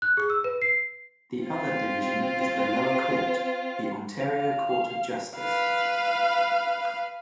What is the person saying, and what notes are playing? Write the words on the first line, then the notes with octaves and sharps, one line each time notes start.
The other division is the lower court, the Ontario Court of Justice.
F#6
G#4
E6
B4
C7
C4 F4
F5
B4 F5